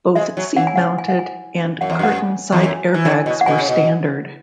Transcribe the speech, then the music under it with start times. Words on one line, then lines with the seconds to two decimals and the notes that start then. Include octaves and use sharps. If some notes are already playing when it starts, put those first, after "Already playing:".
Both seat-mounted and curtain side airbags were standard.
0.15 G#3 E5
0.37 F#3
0.57 E3 F#5
0.67 G#5
0.76 C#3 F#5
0.98 G#5
1.08 F#5
1.19 G#5
1.81 F#2 F#5
1.90 E2 E5
1.99 F#2 F#5
2.52 E2
2.64 F#2
2.94 E3
3.05 C#3
3.26 B2
3.41 F#5
3.46 B2 G#5
3.59 C#3
3.69 B2